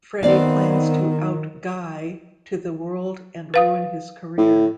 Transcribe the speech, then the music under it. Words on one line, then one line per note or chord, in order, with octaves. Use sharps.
Freddie plans to out Guy to the world and ruin his career.
D#3 B3 C4 D5 F5
B4 F5 D#6
A2